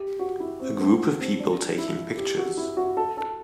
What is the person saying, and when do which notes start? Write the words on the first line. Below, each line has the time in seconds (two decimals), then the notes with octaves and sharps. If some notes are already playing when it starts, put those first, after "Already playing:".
A group of people taking pictures.
Already playing: G4
0.19 F#4
0.40 E4
0.60 C4
0.80 A3
1.19 C4
1.39 D4
1.78 E4
2.17 G4
2.38 F#4
2.57 E4
2.77 F#4
2.97 A4
3.17 A4